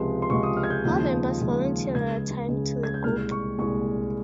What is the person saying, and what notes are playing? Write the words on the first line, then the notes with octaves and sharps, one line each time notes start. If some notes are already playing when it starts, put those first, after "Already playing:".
All members volunteer their time to the group.
Already playing: C#2 C3 F3 G#3 C6
C6
C#2 C3 F3 G#3 C#6
D#6
F6
G#6
G6
D#2 C#3 F3 G#3 G6
D#2 C#3 F3 G#3
C#2 C#3 G#3 G#6
C#2 C#3 G#3
G#6
G6
C2 A#2 G#3 F6
C#6
C2 A#2 G#3 C#6